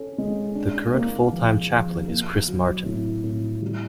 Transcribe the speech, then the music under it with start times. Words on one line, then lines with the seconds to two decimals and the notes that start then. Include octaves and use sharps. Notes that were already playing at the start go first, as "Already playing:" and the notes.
The current full-time chaplain is Chris Martin.
Already playing: C#4 A4
0.18 G#3
0.55 D4
0.94 A#3
1.32 F3
1.70 F3
2.08 A#3
2.48 F#3
2.85 A2
3.24 A2
3.62 G3